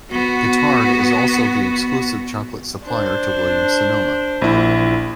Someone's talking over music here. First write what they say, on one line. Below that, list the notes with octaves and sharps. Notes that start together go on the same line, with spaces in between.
Guittard is also the exclusive chocolate supplier to Williams-Sonoma.
B3 F#4
D4 C5
A#1 E4